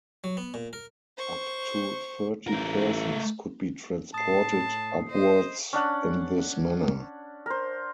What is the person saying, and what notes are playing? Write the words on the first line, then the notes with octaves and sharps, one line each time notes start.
Up to thirty persons could be transported upwards in this manner.
F#3
B3
A#2
A#4
C5 C#6
A1 A3 A#4
A2 A5 D#6 C7
C5 D#5
C#4 D4 F#5
A#4 C5